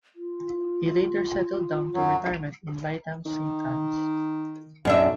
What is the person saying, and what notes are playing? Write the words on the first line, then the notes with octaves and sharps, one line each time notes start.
He later settled down to retirement in Lytham Saint Annes.
F4
F#2 F#3
D#3
B1 F#2 D4 E5